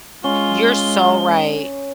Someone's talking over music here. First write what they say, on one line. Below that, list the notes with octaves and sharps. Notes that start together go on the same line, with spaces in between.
you're so right.
G#3 C#4 F4 G7